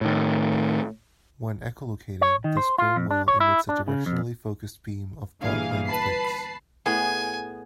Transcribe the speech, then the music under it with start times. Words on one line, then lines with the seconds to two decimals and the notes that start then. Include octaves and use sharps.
When echolocating, the sperm whale emits a directionally focused beam of broadband clicks.
0.01 A2 D#3
2.21 C#5
2.44 D#3
2.57 C5
2.78 F4
2.96 F2
3.11 D4
3.28 C#5
3.40 E4
3.69 D4
3.88 C#3
4.06 F2
5.41 G1 A#2 E3 G#4 F5
5.87 B4 A5 B5 C7
6.86 A2 B3 G#4 G#5